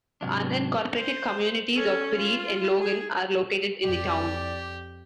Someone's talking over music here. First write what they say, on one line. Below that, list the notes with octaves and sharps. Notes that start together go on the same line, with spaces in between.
The unincorporated communities of Breed and Logan are located in the town.
G#2 C3 F#3 D4
C5
C#4 A4
F4
G#4
F2 G4 D5